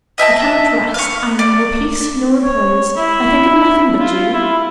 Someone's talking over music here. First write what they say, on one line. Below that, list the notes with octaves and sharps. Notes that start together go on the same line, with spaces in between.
I cannot rest; I know no peace, no repose; I think of nothing but you!
D#5 E5 G5 A5
F5 C#6
D5
C#5
E4
F4
E4